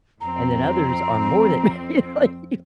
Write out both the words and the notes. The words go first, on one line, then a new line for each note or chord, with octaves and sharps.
and then others are more than ready to leave,
F2 C4 A#5